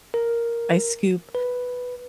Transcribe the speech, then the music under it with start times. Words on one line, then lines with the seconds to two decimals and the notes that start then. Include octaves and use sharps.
I scoop
0.14 A#4
1.35 B4